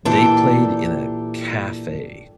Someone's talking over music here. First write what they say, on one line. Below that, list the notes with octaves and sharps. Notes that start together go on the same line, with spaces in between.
they played in a cafe
A#2 E3 D4 G4 A4